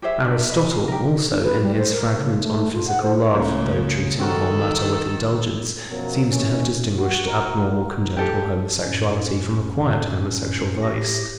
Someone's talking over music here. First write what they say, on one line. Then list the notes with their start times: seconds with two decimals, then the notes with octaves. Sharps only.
Aristotle also, in his fragment on physical love, though treating the whole matter with indulgence, seems to have distinguished abnormal congenital homosexuality from acquired homosexual vice.
0.02 G4 G#4 C5 E5
0.25 D4
0.49 B4 D#5
0.71 F4
0.88 G4 A#4
1.31 D4
1.43 B4
1.63 G3
1.78 C5
1.92 A#4
2.18 C#3
2.41 A3
2.73 F4
2.88 F#5
3.03 C5
3.34 C#2 A2 C#3 A#3
4.20 D#3 C4 F#4 A4 A#4
5.91 F#2 B2 F3 F#3 A#4
6.31 A1 D#2 E3 C#4
6.98 F#4
7.26 A#4
8.17 G4 A4
8.83 F#2 A2 C#4
10.81 A2 G4 A#6